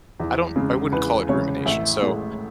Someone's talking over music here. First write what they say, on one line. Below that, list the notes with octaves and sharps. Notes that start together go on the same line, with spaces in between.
I don't I wouldn't call it rumination. So,
E2
C#3 G#3
E2 B4
C#3 G#3 C#5
A1 E5
A2 G#3